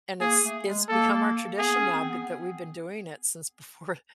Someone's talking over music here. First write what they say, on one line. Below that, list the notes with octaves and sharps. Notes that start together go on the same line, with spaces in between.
and it's it's become our tradition now th that we've been doing it since before
A#3 G#4
A3
G#3
A#3 A4
B3 G#4
C#4
C4
B3